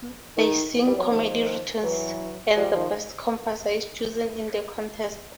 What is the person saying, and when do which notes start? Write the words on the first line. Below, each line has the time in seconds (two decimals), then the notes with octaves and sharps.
They sing comedy routines and the best comparsa is chosen in a contest.
0.36 D#3
0.73 E3
0.86 G3
0.98 F#3
1.09 D#3 F3
1.83 E3 F#3
2.56 F3 G3
2.74 D#3 F3